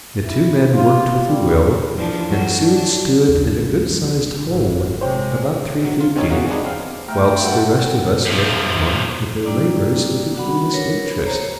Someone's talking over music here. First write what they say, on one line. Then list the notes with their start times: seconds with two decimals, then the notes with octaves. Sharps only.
The two men worked with a will, and soon stood in a good-sized hole, about three feet deep, whilst the rest of us looked on at their labours with the keenest interest.
0.24 E4
0.74 F4
1.28 G3
1.96 E3 F3 D4
2.29 F2 F#3 G3
2.61 F#3 D4
3.28 A1 D#2
3.52 A1 A2 E3 F#3
3.72 C#2 C#3 F3 G3
3.91 F3 G3 D4
4.45 G#1 A2
5.01 C3 G#3 C5 C#5 G5
5.81 G#2 F#3
6.00 F4
6.16 B2 C4 C#4 D#4 C#5 G#5
6.30 C#3 E3 F#3 A#3 F#4 G#4
6.48 G3 G#3 B3 D4 D#4 G#4
6.64 C4 F5
7.08 A3 G5 A#5 F6
7.44 F#4 A4 F#5
8.25 F#2 F3
9.45 G3 A#3 D4 E4 D5
10.35 D4 F#4 F#5 B5
10.73 A#4 B4 C#5
11.26 C5 C#5 A#5